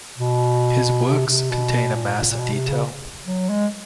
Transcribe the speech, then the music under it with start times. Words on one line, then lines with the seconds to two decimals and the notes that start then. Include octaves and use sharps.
His works contain a mass of detail.
0.18 B2
1.06 C3
1.28 C3
1.51 B2
1.95 A#2
2.17 A#2
2.31 A#2
2.39 B2
2.53 C3
2.68 C#3
3.26 F#3
3.49 G#3